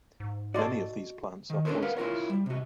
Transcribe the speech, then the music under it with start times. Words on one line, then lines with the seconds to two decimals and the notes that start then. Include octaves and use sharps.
Many of these plants are poisonous.
0.20 G#2
0.54 F#4 A4 D5 D#5 C6
1.50 D#3
1.65 C#4 D4 A4 A#4 C5 C#5
1.82 A#4 B4 F5 F#5
1.97 E4 F4 A#4 C#5
2.30 G3
2.46 C3 F#4